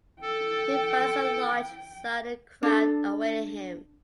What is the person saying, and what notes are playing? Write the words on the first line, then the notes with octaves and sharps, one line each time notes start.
He finds a large, silent crowd awaiting him.
A4 G5
D4 A4